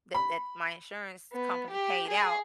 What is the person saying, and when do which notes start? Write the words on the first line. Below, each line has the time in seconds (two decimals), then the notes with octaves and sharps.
that that my insurance company paid out.
0.14 B5
1.32 B3
1.69 G4
2.08 G#4